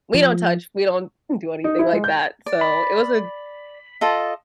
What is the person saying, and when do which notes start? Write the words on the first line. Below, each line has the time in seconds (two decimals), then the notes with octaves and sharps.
we don't touch. We don't do anything like that, so, it was a
0.14 F3
1.64 D#4
1.79 E4
1.93 G#3
2.04 G6
2.46 D5
2.61 B5
4.01 F4 A4 D#5